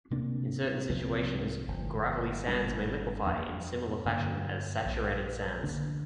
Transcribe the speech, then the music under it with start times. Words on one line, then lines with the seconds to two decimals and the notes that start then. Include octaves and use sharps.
In certain situations gravelly sands may liquefy in similar fashion as saturated sands.
0.11 D2 C3 A#3 D4
0.89 C2 C3 F3 C4
1.68 G1 G2 F3
2.47 G1 G2 G3 D4
3.26 F2 F3 A#3 D4
4.05 G2 D3 A#3 D4
4.84 A#1 A#2 F3
5.63 D2 D3 A#3 D4